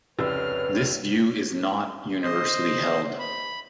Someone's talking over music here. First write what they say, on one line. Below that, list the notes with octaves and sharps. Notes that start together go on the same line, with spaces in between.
This view is not universally held.
F1 C#2 B4 C#5 E6 F6
C5 D#5
B5